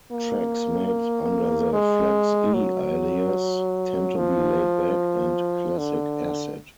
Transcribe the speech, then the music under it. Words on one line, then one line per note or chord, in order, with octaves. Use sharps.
Tracks made under the FlexE alias tend to be laid-back and classic acid.
A#3
G#3
F#3
F3
D3